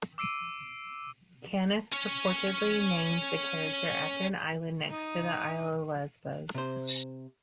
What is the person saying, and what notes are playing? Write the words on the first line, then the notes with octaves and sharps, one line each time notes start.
Caniff purportedly named the character after an island next to the isle of Lesbos.
D6 E6 C7 D7 D#7
C#4 C#5
D#4 D#6
C3 C5